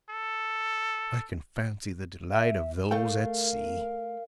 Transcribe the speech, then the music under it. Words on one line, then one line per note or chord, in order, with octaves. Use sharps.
I can fancy the delight of those at sea.
A4
E5
A3 A#4 F5 G5